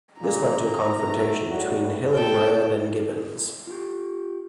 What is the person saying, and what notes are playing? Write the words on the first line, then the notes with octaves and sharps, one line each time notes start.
This led to a confrontation between Hillenbrand and Gibbons.
C#2 A#2 A#5
G#2 B2 A3
A2 G3 F#4
C2 A4 G5
F4 G4